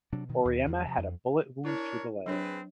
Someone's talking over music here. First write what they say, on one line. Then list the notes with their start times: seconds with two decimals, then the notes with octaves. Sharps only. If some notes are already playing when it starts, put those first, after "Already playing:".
Oryema had a bullet wound through the leg.
0.12 C3 F#3 D4
0.29 G2 B2 D#3
0.45 D#2
0.67 E2
0.86 C3 F3
0.98 F2
1.65 D4 E4 A#4 C#5
2.26 F#3 C4 D4 G#4 B4 C#5